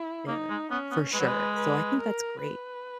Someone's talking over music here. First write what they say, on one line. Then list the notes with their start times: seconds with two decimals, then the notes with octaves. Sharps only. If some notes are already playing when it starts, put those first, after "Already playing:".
yeah, for sure. So, I think that's great,
Already playing: E4
0.27 A#3 D#4
0.50 G#3
0.71 B3 C#4
0.91 B3
1.13 G#3 B4
1.20 F#3
1.28 G#3
1.56 B4
1.98 A#4
2.41 B4